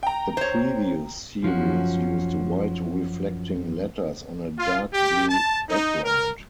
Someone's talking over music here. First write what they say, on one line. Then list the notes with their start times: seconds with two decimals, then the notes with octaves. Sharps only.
The previous series used white reflecting letters on a dark-blue background.
0.03 G5 A#5
0.37 C5 C#5
1.43 F#2 F3 C#4 F#4
4.59 F4
4.92 G4
5.29 A5
5.69 D#4
6.04 A#4